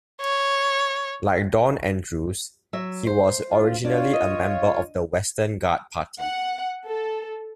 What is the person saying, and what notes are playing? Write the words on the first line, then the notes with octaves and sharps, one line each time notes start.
Like Don Andrews, he was originally a member of the Western Guard Party.
C#5
F#3 E5
C5
D2 F4
D4 F4 C#5
D#5
F#5
A4